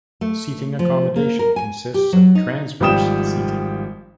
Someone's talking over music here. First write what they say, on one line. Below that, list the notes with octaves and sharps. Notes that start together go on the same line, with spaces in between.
Seating accommodation consists of transverse seating.
A3
F3
A#3
A#4
G#5
G4
F#3
D#4
G#1 F3 G3 G5 D#6 E7